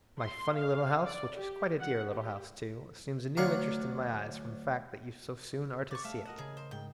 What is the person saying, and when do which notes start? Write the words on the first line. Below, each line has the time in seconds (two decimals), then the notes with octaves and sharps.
My funny little house, which is quite a dear little house too, assumes a new interest in my eyes from the fact that you so soon are to see it.
0.20 C6
0.56 F5
1.05 D5
1.37 G4
1.80 F#5
2.11 G4
3.37 D2 F#3 F5 A#5 C#6
5.91 D5 C#6
6.04 A3 E5 F5
6.25 A#4 D#5 F#5 E7
6.38 C#3 G#4
6.57 C5
6.71 G#2 G5